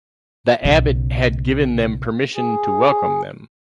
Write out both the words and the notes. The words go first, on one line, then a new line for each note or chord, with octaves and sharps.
The Abbot had given them permission to welcome them.
B1 C#3
G#4